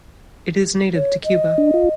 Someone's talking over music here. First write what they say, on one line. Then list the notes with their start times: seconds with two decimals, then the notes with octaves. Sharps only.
It is native to Cuba.
0.94 C#5
1.25 D#5
1.58 D4
1.74 F4